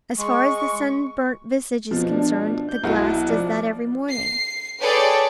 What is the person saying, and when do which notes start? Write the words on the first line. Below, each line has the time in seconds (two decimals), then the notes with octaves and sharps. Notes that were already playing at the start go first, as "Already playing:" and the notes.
'As far as the sun-burnt visage is concerned, the glass does that every morning.'
0.18 G#3 C#6
1.91 B2 F3
2.09 D4
2.69 G6
2.84 B1 E4 F#4
3.29 F3 D5
4.09 C7
4.81 G#4 A4 B4 C#5 D5 G5